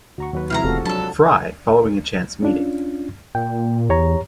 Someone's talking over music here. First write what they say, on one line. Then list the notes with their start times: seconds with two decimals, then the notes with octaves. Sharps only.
Fry, following a chance meeting.
0.18 D2 F#4 A#5 C#6
0.33 D#2 F#3 B4
0.50 C3 F3 G#3 E4 F5 G5 A#5
0.64 E1 C3 A3 B3 F4 F#4 A4
0.85 F#3 D4 A4 A5 B5
2.42 C#4 D4 F4
3.35 A#2 G5
3.89 E2 G4 C#5 A#5